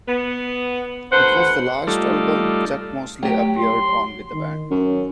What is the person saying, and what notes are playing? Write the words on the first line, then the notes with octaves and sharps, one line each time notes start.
It was the last album Chuck Mosley appeared on with the band.
B3
D2 B4 C5 F#5
G3 A3 D#4 F4 A4 D5
F#3 A3 G4
C6
D#3
F#2 C#4